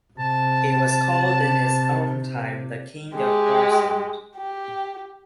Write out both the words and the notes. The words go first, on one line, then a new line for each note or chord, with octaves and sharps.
He was called in his own time "The King of Farsund".
C3 A5
G#3 G4
G4